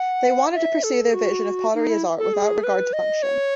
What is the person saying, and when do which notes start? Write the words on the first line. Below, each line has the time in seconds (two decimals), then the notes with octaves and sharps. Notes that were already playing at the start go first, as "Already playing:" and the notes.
They wanted to pursue their vision of pottery as art, without regard to function.
Already playing: F#5
0.55 E5
0.83 A4
1.13 F#4
1.74 D#4
1.89 E4
2.19 A4
2.34 G#4
2.64 B4
2.93 D#5
3.23 C#5